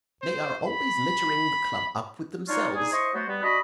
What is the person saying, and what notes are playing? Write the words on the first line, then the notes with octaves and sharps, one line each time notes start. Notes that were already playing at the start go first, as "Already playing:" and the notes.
They are always littering the club up with themselves.
C5
B5
D4 D#4 F4 F#4 C#5
D4 D#4 G#4
E4 C5 D#5 C6 C#6
F#3 A3 B3 F#4 C5
G3 B3
D4 F#4 D#5 B5